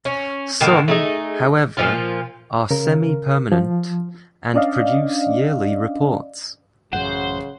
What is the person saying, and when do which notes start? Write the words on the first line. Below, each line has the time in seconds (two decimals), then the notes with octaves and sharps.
Some, however, are semi-permanent, and produce yearly reports.
0.05 C#4
0.61 A2 D3 D#3 A#3
0.88 A3 D#4 G#4
1.77 A#2 F3 F4
2.71 C#3 A#4
3.52 F3
4.54 C#4 D4 D5 D#5 F5
6.93 A1 F#2 C#3 C5 F#5